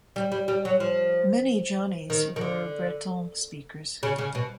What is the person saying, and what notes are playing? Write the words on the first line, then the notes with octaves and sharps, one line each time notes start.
Many Johnnies were Breton-speakers.
G3
G3
G3
F#3
F3
D#3
D#3
D3
C#3
C#3
B2